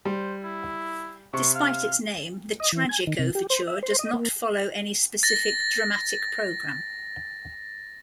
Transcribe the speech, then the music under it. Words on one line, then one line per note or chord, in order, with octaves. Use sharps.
Despite its name, the "Tragic Overture" does not follow any specific dramatic program.
G3 C5
E4
C3 C#6
F5
D#5
E3
G#5
D#3
C3
G4
C5
E5
C5
D#5
A#3
A6 A#6